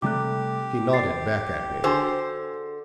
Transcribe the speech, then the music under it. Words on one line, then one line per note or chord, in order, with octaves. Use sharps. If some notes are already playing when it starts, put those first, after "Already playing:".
She nodded back at me.
C3 G3 A3 G4 D6 F#6
D5 A6 C7
D3 D4 F#4 G#4 C5 G#5 E6